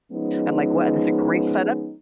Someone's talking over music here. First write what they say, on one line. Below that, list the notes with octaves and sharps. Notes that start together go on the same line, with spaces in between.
I'm like, "What this is a great setup."
F3 G#3 B3 C#4 D#4